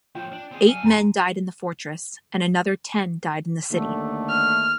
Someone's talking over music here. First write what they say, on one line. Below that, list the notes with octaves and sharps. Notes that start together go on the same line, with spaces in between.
Eight men died in the fortress, and another ten died in the city.
A2 F3 F4 G5
D4
C4 G#4
F#3 A4 F5 G#5
F2 D#3 A#5 C6
D#2 D3 A3
F6